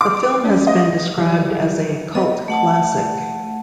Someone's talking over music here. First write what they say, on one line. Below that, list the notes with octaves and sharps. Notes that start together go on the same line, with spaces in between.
The film has been described as a "cult classic".
D6
C#4
D#5
F#3 G3 E4
B3 C4 B4 D#5
A3 F#5 A5